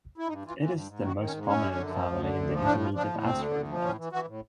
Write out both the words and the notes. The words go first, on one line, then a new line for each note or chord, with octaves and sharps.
It is the most prominent family in the intermediate asteroid belt.
E4
G2 D#4
E3
F4
E3
F4
G2
G#2
D#3 F#4
D#3
C#4
G#2
F#2 C#4
D3
F#2
F3
D2
D3
D2
F3
A2 D4
F3
F3 D4
A2
D2 C4
D3
D2
F3
A2 C#4
E3
E3 F#4
A2